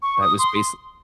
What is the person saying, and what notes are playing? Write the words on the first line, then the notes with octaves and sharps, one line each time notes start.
that was base
C#6
D#6
C6